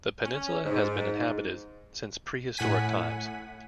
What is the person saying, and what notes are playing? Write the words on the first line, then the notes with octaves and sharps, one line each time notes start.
The peninsula has been inhabited since prehistoric times.
C#4
G#2
A2 F#5 G#5 B6 D#7